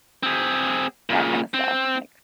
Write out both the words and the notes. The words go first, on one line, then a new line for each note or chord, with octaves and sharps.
that kinda stuff, like
C4 G#4
A#2 C#3
C4